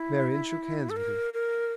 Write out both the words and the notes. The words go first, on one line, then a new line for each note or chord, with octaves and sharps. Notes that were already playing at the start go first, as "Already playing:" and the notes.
Marian shook hands with him.
Already playing: E4
A4
A#4
A#4